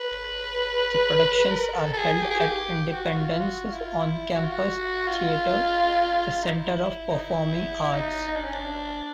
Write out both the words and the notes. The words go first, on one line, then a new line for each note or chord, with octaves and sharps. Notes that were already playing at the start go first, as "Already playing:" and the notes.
The productions are held at Independence's on-campus theatre, the Center of Performing Arts.
Already playing: B4
A#4
A4
A4
G#4
G4
G#4
G4
F#4
F#4
F4
F#4
F4
E4
F4
E4
F#4
F4
F#4
F4
D#4
E4
D#4
E4
D#4
D#4
D4
C#4
D4